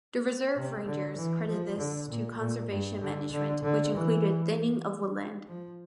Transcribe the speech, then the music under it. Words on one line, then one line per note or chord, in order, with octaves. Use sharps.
The reserve rangers credit this to conservation management, which included thinning of woodland.
C3
D3
E3
F3
D3
A#2
A#2
G2
D3
D3
D3
E3
F3